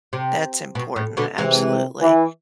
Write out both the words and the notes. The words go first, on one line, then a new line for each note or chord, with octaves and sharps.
That's important, absolutely.
C3
B2
A2
B2 D3
C3 E3 G#3
E3